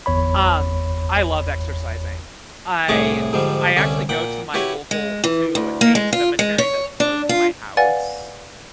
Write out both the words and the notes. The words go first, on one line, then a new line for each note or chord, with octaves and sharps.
Um, I love exercising. I I actually go to my local to a cemetery that's close to my house.
G1 E2 C#5 B5
C2 A2 G#4 C#5 F#5 D6
G#2 D3 F3 G3
C2 D3 C#4
A#2 F#5 G5
E4 F#4 G4 B4 C#5
G#3
E3
D2
A#3
G#3
F4
G#3
C#5
D4
F4
B4 D5 F5 F#5 G#5 A6